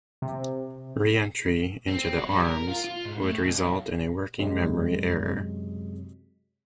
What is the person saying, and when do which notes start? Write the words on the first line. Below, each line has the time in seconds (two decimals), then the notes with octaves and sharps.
Re-entry into the arms would result in a working memory error.
0.22 C3
1.88 C4
2.14 F#3
2.30 G3
2.46 A#4
2.68 F4
2.84 F4
3.05 G#2
3.22 A2
3.44 B1
4.39 F#2 C3 F#3 G#3